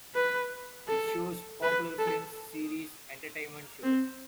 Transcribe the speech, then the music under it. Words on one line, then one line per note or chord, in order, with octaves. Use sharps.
It shows popular films, series, entertainment shows.
B4
A4
B4
A4
C4